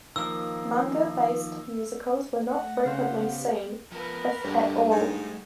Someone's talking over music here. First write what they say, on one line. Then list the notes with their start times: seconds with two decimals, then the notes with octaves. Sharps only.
Manga-based musicals were not frequently seen, if at all.
0.16 D#3 F3 A#3 E6
2.48 A3 F#5 A#6
2.86 C#3 B3 C#4 G4 C5 F5
3.92 F3 B3 A#4 B4
4.44 D2 G2 G3 A3 G4
4.91 G#2 D#4